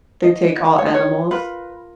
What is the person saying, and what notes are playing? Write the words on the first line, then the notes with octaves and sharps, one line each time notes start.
they take all animals.
D#5
C#5
D#5
C#5
F4 A#4 B4